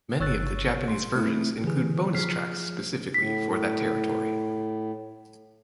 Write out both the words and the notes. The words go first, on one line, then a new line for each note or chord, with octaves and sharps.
Many of the Japanese versions include bonus tracks specifically for that territory.
G1 C#5 E6 F#6 A6
C6
A3 C4 E4
D3 E3 G4 G#4
F3 G#4 F6 B6 C7
A2 B6